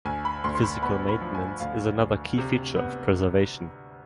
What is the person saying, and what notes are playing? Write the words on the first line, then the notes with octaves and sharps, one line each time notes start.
Physical maintenance is another key feature of preservation.
D2 G#5
B5
D2 C6
C6
B5
B3 B5
B5
F3
G#5
D2 F5
D2
C3
B3